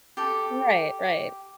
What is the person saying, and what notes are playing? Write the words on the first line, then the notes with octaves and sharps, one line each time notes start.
Right, right.
G4 A4